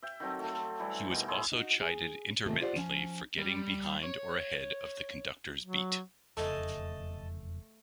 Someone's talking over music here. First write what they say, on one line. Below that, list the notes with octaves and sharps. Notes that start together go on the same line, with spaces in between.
He was also chided intermittently for getting behind or ahead of the conductor's beat.
E5 G5
D#3 F#3 C4 A4
A3 A4
E3 G3
B2 D#3
E4 G#4 C#5 C6
D#4 F#4
G#4
G#2 C3 D#3 F3 A3 A#3
F4 G4 C5 D5 E5 F#5
F3 C#4
G3
C#5
F#3
E1 F2 C#3 A3 D#5 G#5 A5